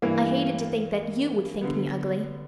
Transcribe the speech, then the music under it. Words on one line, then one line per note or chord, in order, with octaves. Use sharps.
I hated to think that YOU would think me ugly.
G2 E3 A#3 E4
D3 G3 B3